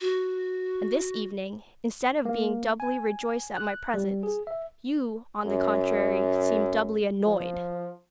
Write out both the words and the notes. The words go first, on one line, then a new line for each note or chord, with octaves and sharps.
And this evening, instead of being doubly rejoiced at my presence, you, on the contrary, seem doubly annoyed!
F#4
A#3
G#5
F#6
G3
G#4
E5
F#2
F3